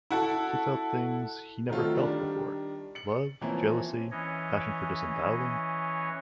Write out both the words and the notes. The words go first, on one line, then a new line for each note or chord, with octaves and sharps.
He felt things he never felt before: "love, jealousy, passion for disemboweling".
E4 F#4 A4
D#3 F#3 A3 C4 F4 A4
D#3 G3 D4
C#7 F#7
E3 F3 A#3 C4 C#4 E4
E3 C#4 C#5 D#5